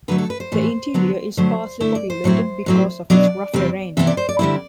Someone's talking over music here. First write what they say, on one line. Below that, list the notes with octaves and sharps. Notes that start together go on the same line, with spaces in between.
The interior is sparsely populated because of its rough terrain.
D3 F#3 A3 B4
A4
B4
C5
A2 E3 A3
D3 F#3 B3
D3 F#3 A3 C5
D3 A3 E4 E5
D5
C5
A2 F#3 C4 E4
A2 F#3 C4 E4
B2 F#3 B3 D4 D5
E2 C3 G3 C4
C3 E3 B3 E4 E5
D5
C5
D5
D3 G3 C4 E4 D5